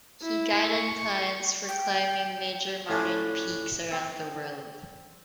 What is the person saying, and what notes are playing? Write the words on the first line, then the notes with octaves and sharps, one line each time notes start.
He guided clients for climbing major mountain peaks around the world.
E4
C#6
G5
A2 C#4 D4
C4